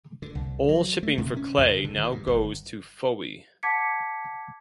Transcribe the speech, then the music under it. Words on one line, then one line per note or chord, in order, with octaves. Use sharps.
All shipping for clay now goes to Fowey.
D3
C2
F#3
A3
C3
C#4
E2
C#3
D3
D#3
G2
G1
F#5 A5 D6 G#6 B6 C#7